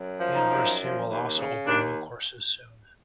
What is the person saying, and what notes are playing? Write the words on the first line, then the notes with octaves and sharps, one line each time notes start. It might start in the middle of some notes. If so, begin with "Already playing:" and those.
The university will also open new courses soon.
Already playing: F#2
F3
D#4
F#2
F3
D#2
C#3
D#2 D4